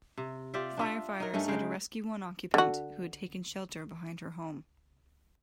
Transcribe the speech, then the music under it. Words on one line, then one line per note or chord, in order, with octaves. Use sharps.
Firefighters had to rescue one occupant who had taken shelter behind her home.
C3
F4 G4 D5 E5
D4 F4 E5
D#4 A#4
G2 A3 C#4 D#4
C#3 G#3 G5
D3 F#4